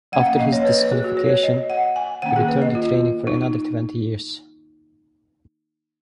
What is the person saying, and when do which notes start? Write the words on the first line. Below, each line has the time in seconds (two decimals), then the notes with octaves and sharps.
After his disqualification he returned to training for another twenty years.
0.12 F3 A#3 C#4 F#5
0.26 F5
0.39 D#5
0.52 C#5
0.65 B4
0.78 B4
0.92 G#4
1.04 F#4
1.17 C#5
1.43 D#5
1.70 F#5
1.96 G#5
2.22 D#3 A#3 C#4 F#5
2.36 G#4
2.48 B4
2.62 D#5
2.75 F4
3.27 D#4